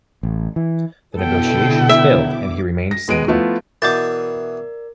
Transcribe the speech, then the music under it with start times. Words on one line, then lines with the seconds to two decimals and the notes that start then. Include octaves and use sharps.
The negotiations failed, and he remained single.
0.23 A1
0.56 E3
1.16 B2 D3 B3 E4 A4 G5
1.56 B3
1.89 E5
2.24 D6
2.91 A#6
3.08 E1 G#3 B3 D7 D#7
3.28 F3 A3 B3 E4 F4
3.82 B2 E3 A#4 D5 D6 G6 A6